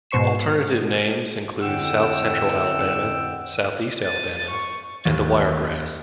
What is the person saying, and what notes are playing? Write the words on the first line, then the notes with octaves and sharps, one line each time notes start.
Alternative names include South Central Alabama, Southeast Alabama, and the Wiregrass.
G#2 B2 C5 C#6 C7 E7
F2 A2 D3 F#5 G5 E6
A6 D#7
C#6
D#2